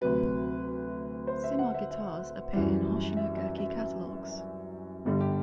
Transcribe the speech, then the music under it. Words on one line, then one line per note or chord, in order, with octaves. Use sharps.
Cimar guitars appear in Hoshino Gakki catalogues.
D2 C3 F#3 B4
C5
E5
F#5
E5
E5
F#2 E3 G3
E5
E5
E5
E5
G1 G2 D3 G3
G4